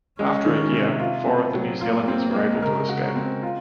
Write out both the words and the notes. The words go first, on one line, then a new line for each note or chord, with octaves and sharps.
After a year, four of the New Zealanders were able to escape.
G#3 C#4
D#3
C3
F4
C4
F#3
A#3 F4
C4
G#3
C#3 A#4
F#4
C4
F4